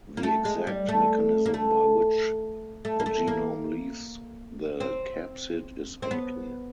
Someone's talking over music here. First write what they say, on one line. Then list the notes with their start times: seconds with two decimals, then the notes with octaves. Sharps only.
The exact mechanism by which the genome leaves the capsid is unclear.
0.17 A#3
0.23 A3
0.45 G#3
0.67 G3
0.88 A3
1.46 A#3
1.54 A3
2.85 A3
3.00 A#3
3.06 A3
3.27 A#3
4.80 C4
6.02 C4
6.11 B3